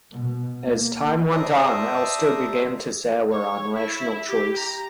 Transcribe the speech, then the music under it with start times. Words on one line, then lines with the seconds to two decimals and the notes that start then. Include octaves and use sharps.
As time went on Elster began to sour on rational choice.
0.10 B2
0.67 A#3
1.33 C5 D5 E5 A5 A#5 D#6
3.32 C#5
3.74 E4
4.28 G4
4.57 A#5